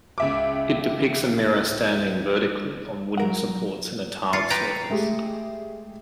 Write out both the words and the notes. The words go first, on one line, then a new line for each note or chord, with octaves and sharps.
It depicts a mirror standing vertically on wooden supports on a tiled surface.
C#2 E5 D6
F#3 A#4 F#5
F4 A6 C7 C#7
B4 G5 A#5
G#3 A3 G4 G#4